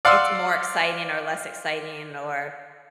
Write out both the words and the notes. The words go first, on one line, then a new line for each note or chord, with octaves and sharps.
it's more exciting or less exciting or,
D5 F5 F#5 C6 E6